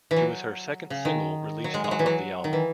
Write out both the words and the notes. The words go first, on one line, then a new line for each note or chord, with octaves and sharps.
It was her second single released off of the album.
E3
F#3
C#3
D#3
F#3
G#3
G#3
F#3
E3
F#3
D#3
E3